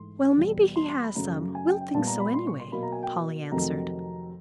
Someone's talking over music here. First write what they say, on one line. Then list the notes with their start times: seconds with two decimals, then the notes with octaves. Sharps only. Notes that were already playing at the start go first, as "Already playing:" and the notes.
"Well, maybe he has some; we'll think so, anyway," Polly answered.
Already playing: G#2 E3 A3 C6
0.37 E2 B2 G3
0.76 C6
0.89 C6
1.03 B5
1.15 F#2 C#3 F#3 A3 A#5
1.55 G#5
1.68 G5
1.81 G5
1.94 A#2 G3 B3 A5
2.07 A#5
2.20 B5
2.34 C6
2.47 C#6
2.60 C6
2.72 B2 F#3 A#3 B5
2.83 A#5
2.92 G#5
3.03 G5
3.52 F2 C3 D#3 F#3 A3 A#5